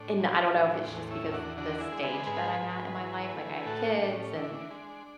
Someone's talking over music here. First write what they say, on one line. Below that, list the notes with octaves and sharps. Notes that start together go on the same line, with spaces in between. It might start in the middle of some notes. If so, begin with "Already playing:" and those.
and I don't know if it's just because the stage that I'm at in my life. Like, I have kids, and,
Already playing: A2 D4
G#3
A2
E2
C#4 E4
E2
D4 F#4
D3 D4 F#4
E4 G#4
G#3
G#4 B4
G#2 G#4 B4
G#2
E3
A3
A2 F#4 A4
D4
A2
C#4
E3 D4
G#3